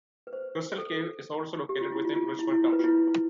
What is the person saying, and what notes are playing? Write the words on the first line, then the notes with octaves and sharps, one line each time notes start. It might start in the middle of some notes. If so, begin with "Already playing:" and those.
Crystal Cave is also located within Richmond Township.
B4
C5
A4
G4
F4
E4
F4
F4
E4
E4
F4
B4
F4
E4
E4